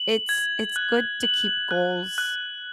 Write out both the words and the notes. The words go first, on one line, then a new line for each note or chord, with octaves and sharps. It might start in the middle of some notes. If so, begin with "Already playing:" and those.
It's it's good to keep goals
Already playing: F#7
G#6
F#6
F#7
F#6
F#6